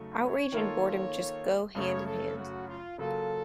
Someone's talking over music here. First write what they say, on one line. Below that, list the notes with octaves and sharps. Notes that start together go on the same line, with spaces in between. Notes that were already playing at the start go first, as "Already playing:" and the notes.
Outrage and boredom just go hand in hand.
Already playing: C#3 F#3 A3 D#4 A4
C#5
D#3 A#3 F4 A4
F#2 C#3 A3 C#4 C#5
A4
F#4
F4
C#3 F#3 A#3 F4 A4